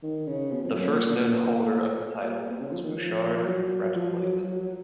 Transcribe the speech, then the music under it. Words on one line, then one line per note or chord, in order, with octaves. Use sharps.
The first known holder of the title was Bouchard Ratepilate.
D#3
C#3
B2
F2
F#2
A#2
A#2
B2
C#3
F3
D#3
F3
F#3
F#3
F3
F#3
F#3
F#3